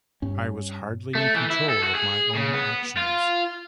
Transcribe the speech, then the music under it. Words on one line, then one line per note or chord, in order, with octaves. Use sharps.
I was hardly in control of my own actions.
G2 C#4
A3
E3
E4
A4
F#4
G#4
C#3
B3
F4